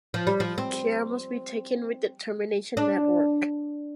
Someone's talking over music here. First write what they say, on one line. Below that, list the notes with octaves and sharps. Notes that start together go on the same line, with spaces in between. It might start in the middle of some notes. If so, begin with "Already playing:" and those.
Care must be taken with the termination network.
F3
G3
F3
C4
D4